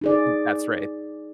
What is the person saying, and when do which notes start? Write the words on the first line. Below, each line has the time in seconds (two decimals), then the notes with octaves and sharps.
M that's right.
0.01 D#4 G#4 D5